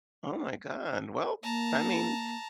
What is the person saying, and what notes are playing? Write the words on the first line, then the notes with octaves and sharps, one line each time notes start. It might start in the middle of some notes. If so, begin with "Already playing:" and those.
Oh my God. Well, I mean,
A#3 A5 A#5